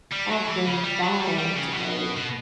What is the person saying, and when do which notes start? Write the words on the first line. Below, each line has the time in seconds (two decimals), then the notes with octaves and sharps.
I've been dying to go.
0.12 G3
0.30 F#3
0.48 E3
0.66 C#3
0.84 G3
1.02 F#3
1.20 G3
1.38 G3
1.55 C#3
1.73 B2
2.16 B2